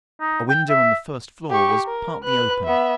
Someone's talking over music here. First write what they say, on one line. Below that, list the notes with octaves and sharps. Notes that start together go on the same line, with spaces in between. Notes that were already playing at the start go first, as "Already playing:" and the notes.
A window on the first floor was partly open.
D#4
G5
E5
G4 C#6
A#4
B4 F#6
B3 E5